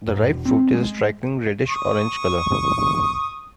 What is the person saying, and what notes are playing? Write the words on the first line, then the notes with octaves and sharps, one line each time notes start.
The ripe fruit is a striking reddish orange color.
G#2
E1
C4
G#3
C#6 D#6